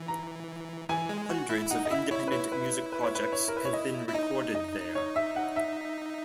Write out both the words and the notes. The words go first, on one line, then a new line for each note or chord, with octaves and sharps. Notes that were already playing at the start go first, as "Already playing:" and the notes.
Hundreds of independent music projects have been recorded there.
Already playing: E3
A#5
E3 G#5
G#3
F#4
E4
D#4 F#5
D#5
E4 E5
E4 C#5
B4
E4 C#5
B4
B4
C#5
B4
C#5
A#4
B4
C#5
D#5
E4
D#4 D#5
D#5
C#5
E5
F#5
E5